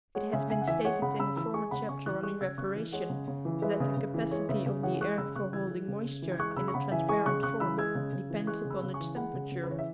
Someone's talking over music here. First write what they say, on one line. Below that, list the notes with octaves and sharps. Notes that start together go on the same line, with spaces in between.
It has been stated in a former chapter on evaporation that the capacity of the air for holding moisture in a transparent form depends upon its temperature.
G#3 C#5 F#5
C#3 E5 G#5
C#3 E5 G#5
F#5
E3 E5 G#5
G#3 C#5 F#5
C#3 F#5 B5
C#3 B5 E6
E3 B5 E6
G#3 G#5 C#6
C#3 F#5 B5
C#3 G#5 C#6
E3 C#6 F#6
G#3 C#6 F#6
C#3 E6 G#6
C#3 C#6 F#6
E3
G#3 C#5 F#5
C#3
C#3
E3
G#3 B4 E5
C#3
C#3
E3
G#3 C#5
C#3 B4 E5
C#3
E3 C#5 F#5
G#3 C#6 F#6
C#3 B5 E6
C#3 C#6 F#6
E3 E6 G#6
G#3
C#3
C#3
E3
G#6
G#3 C#6 F#6
F#6
C#3 B5 E6
C#6
C#3 F#5 B5
E3 E5 G#5
G#3 G#5 C#6
C#3 C#6 F#6
C#3 C#6 F#6
E3 B5 E6
G#3 E6 G#6
C#3
C#3
E3
G#3 C#6 F#6
C#3
B5 E6
C#3
G#5 C#6
E3
G#3 F#5 B5
C#3
C#3
B4
E3 C#5
E5